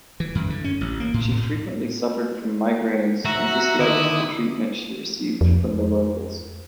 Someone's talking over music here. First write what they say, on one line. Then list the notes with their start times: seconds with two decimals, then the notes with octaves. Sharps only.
She frequently suffered from migraines and disliked the treatment she received from the locals.
0.20 E3
0.35 F#2
0.50 D3
0.64 C#4
0.81 A1
1.00 A#3
1.14 A2
1.31 A2
3.25 F#4 E5 A#5
3.80 D3 D#3 E4 D#6
5.41 F2